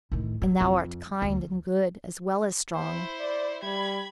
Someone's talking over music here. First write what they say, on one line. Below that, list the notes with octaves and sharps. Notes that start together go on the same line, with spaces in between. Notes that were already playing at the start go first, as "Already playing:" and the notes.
And thou art kind and good, as well as strong.
A2 D#3
F#3
F2
D2
E4 C5
D5
G3 B5 G#6